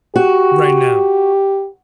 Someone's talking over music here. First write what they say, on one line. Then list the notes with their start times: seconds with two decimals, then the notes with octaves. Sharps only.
Right now.
0.16 F#4 G4